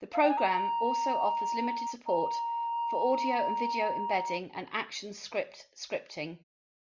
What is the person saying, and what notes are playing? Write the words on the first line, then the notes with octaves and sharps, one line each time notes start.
The program also offers limited support for audio and video embedding, and ActionScript scripting.
F5
G5
G#5
A#5
A#5